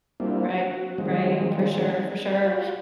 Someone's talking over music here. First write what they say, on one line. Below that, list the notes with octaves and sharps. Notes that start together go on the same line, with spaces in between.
Right, right, for sure, for sure.
G3 A#3 C4 D4 E4 F4
F#4
D#3 F3 G3 G#3 C4
F4 F#4